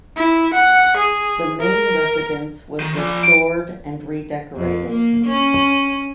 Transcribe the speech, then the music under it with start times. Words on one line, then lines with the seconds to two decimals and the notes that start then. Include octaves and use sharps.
The main residence was restored and redecorated.
0.16 E4
0.53 F#5
0.97 G#4
1.60 A#4
2.80 D#3
2.95 F3 D5
3.23 D7
4.55 F2
4.90 A#3
5.26 C#4